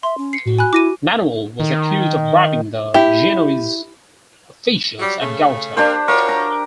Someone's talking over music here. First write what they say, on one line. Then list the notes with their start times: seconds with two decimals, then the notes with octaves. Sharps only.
Manuel was accused of bribing the Genoese officials at Galata.
0.03 E5 C6
0.18 C#4
0.33 C7 C#7
0.46 A2 F#4
0.58 G#5 B5 F#6
0.73 E4 D6 A#6 D#7
1.60 D#3
2.94 E4 G4
4.99 F#3 G3
5.21 C#3 A3
5.77 A#3 D4 G4 C5
6.08 F4 F#4 A#4 C#5
6.29 A#5